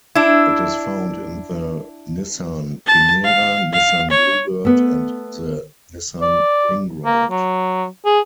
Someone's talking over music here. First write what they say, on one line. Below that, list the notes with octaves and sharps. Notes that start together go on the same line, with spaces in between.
It is found in the Nissan Primera, Nissan Bluebird, and the Nissan Wingroad.
D4 E4
A5
F5
F5
C#5
A3 B3
D5
A#3
F#3
G#4